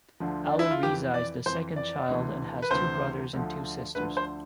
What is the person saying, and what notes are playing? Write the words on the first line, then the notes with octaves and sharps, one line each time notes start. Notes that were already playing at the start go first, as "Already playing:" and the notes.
Alireza is the second child and has two brothers and two sisters.
D2 D3 F3
D4
E4
F4
F2 E3 G4
D5
F2 E3 C5
D5
D2 C3 E3
B4
D2 C3 E3 C5
D2 D3 F3
D2 D3 F3 B4
C5